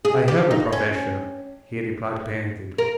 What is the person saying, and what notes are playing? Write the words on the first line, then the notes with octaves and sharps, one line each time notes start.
"I have a profession," he replied plaintively.
G#4
G4
D#4
C#4
A#4